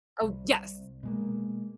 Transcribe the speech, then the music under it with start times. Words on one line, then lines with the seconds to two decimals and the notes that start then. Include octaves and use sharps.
Oh, yes!
0.22 C2
1.03 B2 G#3 A#3